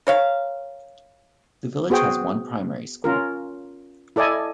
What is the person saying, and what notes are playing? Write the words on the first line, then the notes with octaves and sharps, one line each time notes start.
The village has one primary school.
A#4 C#5 F5
B3 F#4 G#4 C5 G5
C#4 F4 A#4
E4 A4 D5 D#5 G#5